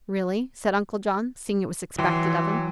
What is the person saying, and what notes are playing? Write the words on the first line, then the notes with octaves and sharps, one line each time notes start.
"Really?" said Uncle John, seeing it was expected of him.
E3 F#3 G5 C6